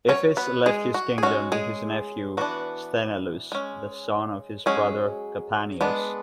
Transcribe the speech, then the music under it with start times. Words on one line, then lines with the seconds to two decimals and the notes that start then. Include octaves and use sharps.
Iphis left his kingdom to his nephew Sthenelus, the son of his brother Capaneus.
0.08 F#3 C#4 C#5
0.37 B3 B4
0.66 G#3 G#4
0.94 F#4
1.18 G#4
1.23 G#3 C#4 F#4
1.52 G#3 G#4
2.37 E3 B3 D4 F#4
3.52 G#3 C#4
4.66 F#3 G#3 C#4 G#4
5.81 G#3 B3 D4